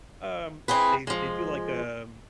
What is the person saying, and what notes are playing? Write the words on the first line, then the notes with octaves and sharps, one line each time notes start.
um they they do like, um
C4 E4 G#4 B4
F3 G#3